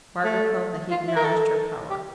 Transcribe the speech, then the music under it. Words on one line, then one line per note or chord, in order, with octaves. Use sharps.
Margaret felt that he acknowledged her power.
A3
F4
E4
A#4
A4
G4